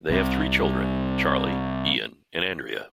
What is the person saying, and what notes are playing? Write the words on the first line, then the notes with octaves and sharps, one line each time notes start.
They have three children; Charlie, Ian and Andrea.
C2 C3